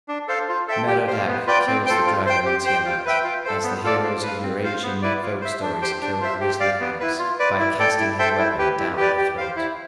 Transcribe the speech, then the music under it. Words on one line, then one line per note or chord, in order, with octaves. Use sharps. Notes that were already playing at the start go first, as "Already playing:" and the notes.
Merodach kills the dragon, Tiamat, as the heroes of Eur-Asian folk stories kill grisly hags, by casting his weapon down her throat.
D4
A4 C5 F5
F4
A4 E5 G5
G4
C5 F5
B3
F4 B4 D5 G5
C4
F4 A4 C5 G5
F4
C5 G5
G4
C5 G5
F4
B4 E5 G5
F4
A4 C5
B3
F4 A4 D5
F4
B4 F5
C4
F4 C5 F5
B3
E4 B4 D5
F4
C5 E5
D4
G4 C5 G5
D4
F4 C5 E5
G4
D5 F5
B3
E4 B4
F4
B4 D5
E4
A4 D5 G5
E4
A4 C5 E5 G5
E4
G4 B4
E4
G4 B4 D5
G4
C5 F5
E4